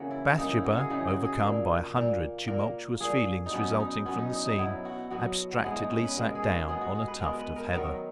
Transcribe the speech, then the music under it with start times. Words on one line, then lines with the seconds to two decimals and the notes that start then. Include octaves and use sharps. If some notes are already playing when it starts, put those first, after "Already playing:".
Bathsheba, overcome by a hundred tumultuous feelings resulting from the scene, abstractedly sat down on a tuft of heather.
Already playing: C#3 E3 A#3 F#4
0.11 E4
0.37 C#3 E3 A#3 D#4
0.51 E4
0.64 F#4
0.78 G#4
0.90 C#3 E3 A#3 D#4
1.08 F#4
1.25 G#4
1.42 A#2 A#3
1.96 A#2 A#3
2.47 A#2 A#3 A#4
3.00 A#2 A#3 G#4
3.46 D#4
3.52 B2 F#3 B3 C#4
3.80 D#4
4.05 B2 F#3 B3 C#4
4.18 D#4
4.32 D#4
4.46 D#4
4.58 B2 F#3 B3 E4
4.85 F#4
5.10 B2 F#3 B3 F#4
5.53 F#4
5.64 B2 G#3 B3 E4
5.76 D#4
5.90 C#4
6.03 B4
6.15 B2 G#3 B3 A#4
6.35 G#4
6.42 A#4
6.68 B2 G#3 B3 G#4
6.81 F#4
6.95 G#4
7.08 B4
7.21 B2 G#3 B3 A#4
7.38 B4
7.56 A#4
7.73 D#3 F#3 B3 A#4